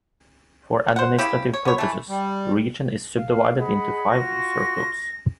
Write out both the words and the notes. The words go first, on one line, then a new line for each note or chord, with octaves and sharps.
For administrative purposes, the region is subdivided into five cercles.
C5 F#5
C#3 E4 G4
C#5
B3 C#5
E3 A3
G3
F5
G#4 D#5 F#5 B5
F4 F#4 A#6